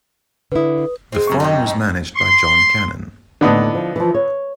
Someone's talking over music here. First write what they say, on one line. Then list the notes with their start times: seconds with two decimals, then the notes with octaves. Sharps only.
The farm was managed by John Cannon.
0.52 D3 E4 B4 D#6
1.12 G#3 C4
1.27 F#2 C3 C#6
1.40 D#4 D#5 G5
2.15 C6
3.41 D#2 A2 D3 B3 D#4
3.75 F3
3.96 E3 F3
4.14 C#5